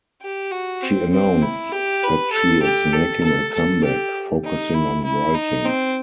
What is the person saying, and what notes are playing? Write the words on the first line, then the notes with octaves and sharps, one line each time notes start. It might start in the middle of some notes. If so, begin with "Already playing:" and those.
She announced that she is making a comeback, focusing on writing.
G4
F#4
C4
C4
E4
G4
B4
A4
G4
A4
A4
A4
G4
D#4
E4
E4
D#4
C4